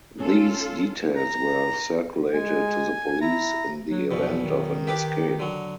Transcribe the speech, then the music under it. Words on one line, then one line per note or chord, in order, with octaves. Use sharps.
These details were circulated to the police in the event of an escape.
C#4 F4 A4
A#5
G#3 G#5
E4 A#5
F#3
B1 E2 B2 F3
D#3
G4 B4 D6
D3 F#3